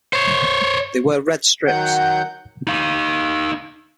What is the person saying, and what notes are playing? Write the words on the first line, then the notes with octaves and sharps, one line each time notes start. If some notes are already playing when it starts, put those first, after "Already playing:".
They wear red strips.
C5 C#5
D#3 F#3 F#5 G6
D#4 F5